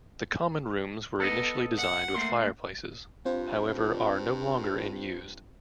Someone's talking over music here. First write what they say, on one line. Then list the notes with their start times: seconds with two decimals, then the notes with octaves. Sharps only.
The common rooms were initially designed with fireplaces, however are no longer in used.
1.19 B3 A4 D#5
1.77 F#5
2.14 A3 A#3 C6
3.25 G2 C4 F4 C5